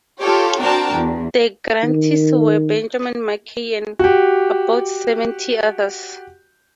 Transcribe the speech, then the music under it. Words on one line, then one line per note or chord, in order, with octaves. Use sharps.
The grantees were Benjamin Mackay and about seventy others.
F4 G4 A4 C#5
C4 D4 F#4 A#4 G5 A5
E2
D#3
F#4 G4